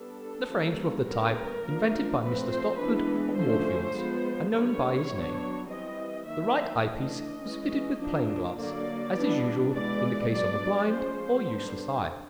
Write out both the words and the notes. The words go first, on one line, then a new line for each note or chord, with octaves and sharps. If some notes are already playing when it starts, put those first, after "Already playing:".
The frames were of the type invented by Mr. Stopford of Moorfields and known by his name. The right eye-piece was fitted with plain glass, as is usual in the case of a blind, or useless, eye.
Already playing: G3 B3 D4 A4
E3 G3 A#3 C#4
D3 G3 B3 A#4
F3 A#3 D4
F3 A3 C4 B4
C5
E3 G#3 B3 D4 B4
D3 F3 A3 C#4 C5
F3 G#3 B3
D3 G3 B3 C#5
F#3 B3 D4
E3 G3 C4 D#5
D#3 F#3 A#3 E5
E3 A3 D4 D#5
E3 G#3 C#4
F3 A#3 D4
D3 F#3 A#3 D5
E3 G3 B3 D4
E3 G#3 B3 D5
F#3 B3 D4 D5
F3 G#3 C#4 C5
D3 G3 B3 D4